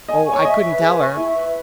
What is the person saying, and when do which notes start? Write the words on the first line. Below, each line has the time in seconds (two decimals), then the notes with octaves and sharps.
"Oh, I couldn't tell her."
0.08 D#5 G#5
0.27 C#6
0.33 C#5
0.45 D#5 E5
0.63 B4
0.81 G#4 G#5
0.99 C#6
1.16 E4 E5
1.35 B4